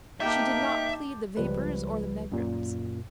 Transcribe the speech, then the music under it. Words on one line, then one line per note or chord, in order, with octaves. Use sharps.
She did not plead the vapours or the megrims.
A#3 D#4 G4 A4 E5 G5
C#2 F3 G3 B4
F#2 A#2